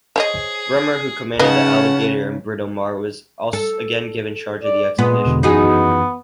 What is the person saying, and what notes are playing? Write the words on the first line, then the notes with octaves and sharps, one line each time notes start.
Bremer, who commanded the "Alligator" and "Britomart", was again given charge of the expedition.
G#4 C5 C#5 D#5
C#3 C#4 D#4 B4 D#5 F#5 A5
A4
D5
A#2 G#3 B3
E2 B2 D3
F#2 E3 B3 D#4 F#4 G#4